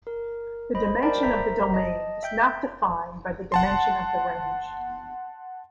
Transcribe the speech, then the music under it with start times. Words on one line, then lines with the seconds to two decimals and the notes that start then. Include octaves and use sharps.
The dimension of the domain is not defined by the dimension of the range.
0.07 A#4
0.75 C5 D#5 B5
1.02 A#4 C5 D5 G5 A5 B5
1.23 A#4 C5 E5 A#5 G6 B6
1.74 D#5 A5
2.23 E5 G5 G6
3.52 F#5 A5 C6